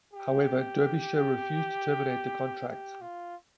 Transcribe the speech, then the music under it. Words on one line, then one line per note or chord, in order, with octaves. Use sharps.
However Derbyshire refused to terminate the contract.
G4
G4
F4